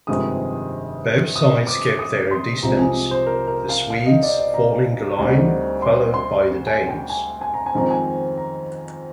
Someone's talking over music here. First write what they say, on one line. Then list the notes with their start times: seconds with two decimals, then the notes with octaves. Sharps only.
Both sides kept their distance, the Swedes forming a line, followed by the Danes.
0.07 G1 F2 C3 D#3 G#3 D#6
1.36 D#6
1.67 D6
1.99 D#6
2.31 C6
2.63 C2 C3 F3 G#3 C4 A#5
2.79 G#5
3.11 C5
3.27 A#4
3.47 A#4
3.69 F5
3.90 F5
4.06 D#5
4.23 D5
4.39 D5
4.54 A#5
5.18 D2 D3 G3 C4 D#4
5.82 C6
6.14 C6
6.67 G#5
6.88 G5
7.10 G#5
7.41 G#5
7.54 A#5
7.66 G#5
7.74 F2 D#3 G#3 C4 A#5
7.91 G#5
8.38 A#5